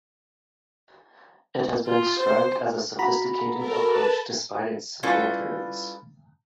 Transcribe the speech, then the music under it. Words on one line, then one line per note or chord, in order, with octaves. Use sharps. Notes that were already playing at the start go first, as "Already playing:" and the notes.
It has been described as a sophisticated approach despite its simple appearance.
F4
C5
F#4 A#5 B5
A4 A#4
B4 A5
G3 C#4 E4 F4 A4 B4